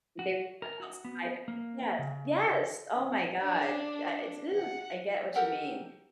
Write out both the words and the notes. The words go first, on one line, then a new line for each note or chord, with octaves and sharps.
They were stuck outside of it Yes, yes! Oh my god. I I ooh, I get what you mean.
F#4
A#4
F#4
B3
A#3
C#3
D4
F#5
G4 A4 A#4 F#5